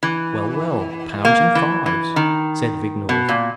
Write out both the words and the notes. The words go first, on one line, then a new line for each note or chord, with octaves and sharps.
"Well, well; pounds and fives," said Vignolles.
E3
A#3
E3
E3
D#3
B2
A#2